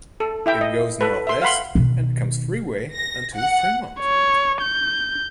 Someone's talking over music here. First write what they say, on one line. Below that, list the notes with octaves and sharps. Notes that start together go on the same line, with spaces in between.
It goes northwest and becomes freeway until Fremont.
A4
E4 E5 G5
D#5
A4 B4
E5 C6
F5 F#5 B5 C6
B2 D#3
A#6
F#5
C#5
G6